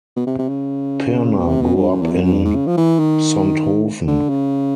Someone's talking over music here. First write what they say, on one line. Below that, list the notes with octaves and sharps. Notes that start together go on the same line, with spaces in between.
Pirner grew up in Sonthofen.
B2
C3
C3
C#3
B2
C3
B2
G2
F#2
E2
F2
F#2
G2
G#2
C#3
F3
E3
D#3
D3
C#3